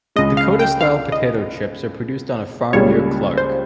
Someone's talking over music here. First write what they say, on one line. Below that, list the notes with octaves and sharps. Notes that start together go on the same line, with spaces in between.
Dakota Style potato chips are produced on a farm near Clark.
C#2 C#3 G#3 D#5
F5
G5
F5
D#5
C#2 C#3 G3 A#3 F4 C#5
C5